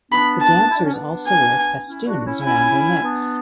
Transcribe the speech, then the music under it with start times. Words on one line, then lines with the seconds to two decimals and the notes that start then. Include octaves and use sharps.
The dancers also wear festoons around their necks.
0.12 B3 D4 B5
0.41 A5
0.70 E4
0.77 D4
0.84 C#4
0.91 B3 D4
1.28 G#5
1.86 C#4 E4
2.05 D4 F#4
2.25 C#4 E4
2.44 C#4 E4 G#5
3.02 B3 D4